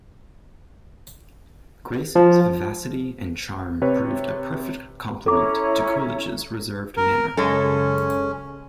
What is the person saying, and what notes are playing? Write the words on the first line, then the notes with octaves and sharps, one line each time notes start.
Grace's vivacity and charm proved a perfect complement to Coolidge's reserved manner.
F3
C3 B4 C#5
C#4 E4 A4 A#5 D6
A#4
F#2 C#3 G#3 C#4 A4